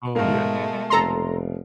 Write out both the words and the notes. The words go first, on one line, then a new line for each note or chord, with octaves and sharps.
Oh, yeah.
G#2 B2 G#3 A3 A#4 F5
F1 A4 A#5 C6